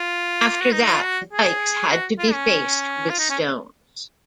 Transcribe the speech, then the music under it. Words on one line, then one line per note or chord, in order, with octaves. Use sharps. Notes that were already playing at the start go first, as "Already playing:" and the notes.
After that the dikes had to be faced with stones.
Already playing: F4
F#4
D#4
D#4
F4
F#4
G#4
F#4
F4
C#4
F4
D#4
C#4